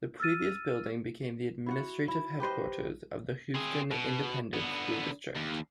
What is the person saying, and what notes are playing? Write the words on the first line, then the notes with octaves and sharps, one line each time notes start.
The previous building became the administrative headquarters of the Houston Independent School District.
E6 F6 A6 D#7
E4 F#4 F#5
E4
G4 B4 C5 D#5
C4 G#4
B2
D3 B3
D#2